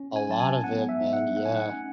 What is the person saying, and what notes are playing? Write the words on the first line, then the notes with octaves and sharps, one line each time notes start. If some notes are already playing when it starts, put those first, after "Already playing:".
A lot of it, man, yeah.
Already playing: C#4
G#5
F#3 A5
G#5
B3 F#5
E5
D#4
F#5
A3 F#5
G#5
F#5
C#4